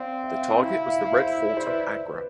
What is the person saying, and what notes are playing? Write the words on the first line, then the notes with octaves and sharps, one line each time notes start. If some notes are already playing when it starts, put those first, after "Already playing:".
The target was the Red Fort of Agra.
Already playing: C4 D5 F5
E5
F5
E5
F5
E4 E5
F5
E5
F5
E5
F5
C5 E5
E5
D5
C5
B4 D5
B4